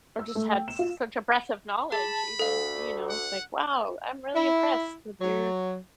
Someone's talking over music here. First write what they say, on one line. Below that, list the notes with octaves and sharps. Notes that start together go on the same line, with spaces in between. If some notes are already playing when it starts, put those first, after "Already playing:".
Or just had such impressive knowledge even, you know, it's like, "Wow, I'm really impressed with your
E6
A3
G5
E7
F4
G#4 A5 B5
D2 A4 F5
F#5
E4
F#3